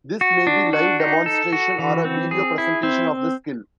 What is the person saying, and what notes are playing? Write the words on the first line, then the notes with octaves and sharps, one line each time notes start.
This may be live demonstration, or a video presentation of the skill.
F#4
D4
F#4
D#4
A4
F#4
E3
C4
G#4
E4
C4